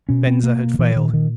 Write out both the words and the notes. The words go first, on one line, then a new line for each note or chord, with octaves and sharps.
Venza had failed.
B2 C#4
C4
A#3
D#3
A#2 E3
D#3
D#3